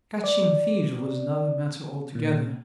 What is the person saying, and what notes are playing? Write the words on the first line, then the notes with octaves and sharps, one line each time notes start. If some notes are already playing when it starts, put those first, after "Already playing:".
Catching thieves was another matter altogether.
D5
A#2